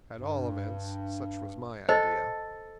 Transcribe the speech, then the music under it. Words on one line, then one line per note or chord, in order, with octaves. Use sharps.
At all events, such was my idea.
G2
A4 C5 D#5